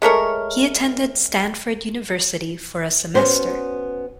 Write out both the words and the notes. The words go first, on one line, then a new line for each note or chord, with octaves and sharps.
He attended Stanford University for a semester.
G#3 A3 A#4 C#5
B3 C#4 F#4 C5